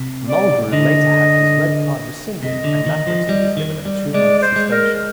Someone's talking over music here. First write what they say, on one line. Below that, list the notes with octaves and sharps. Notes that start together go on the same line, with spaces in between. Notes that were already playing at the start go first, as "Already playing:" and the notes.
Mulgrew later had his red card rescinded and Lafferty was given a two-month suspension.
Already playing: C3
D5
D3 D#5
C3 D#5
D3
D#3
F3
G3
D#3
G3
G#3 D5
D5
C5
G#3
A#4